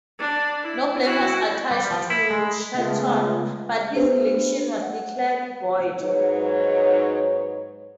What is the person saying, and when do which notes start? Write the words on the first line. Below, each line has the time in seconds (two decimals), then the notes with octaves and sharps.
No blame was attached to Shenton, but his election was declared void.
0.19 D4
0.61 E4
1.04 E4 F#4
1.71 G3
1.91 F3
2.10 E4
2.30 G#3
2.74 C#3 G#3 A3 B3 F4
3.96 B3 D4 G4 B4 C5
4.82 F#5
6.01 G#2 F#3 D#4 B4 C#5